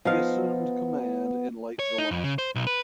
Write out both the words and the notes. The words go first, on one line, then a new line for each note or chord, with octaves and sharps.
He assumed command in late July.
F3 B3 D#4 F5
C#5
D#4
F2
C#3
C5
B1
B4